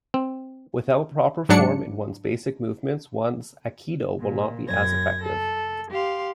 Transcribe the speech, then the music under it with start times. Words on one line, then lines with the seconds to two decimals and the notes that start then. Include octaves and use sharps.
Without proper form in one's basic movements one's aikido will not be as effective.
0.14 C4
1.49 G#2 F#3 D4 C#7
4.19 A#2
4.67 F#2 G#6 A#6
5.23 A4
5.91 G4 F5 C6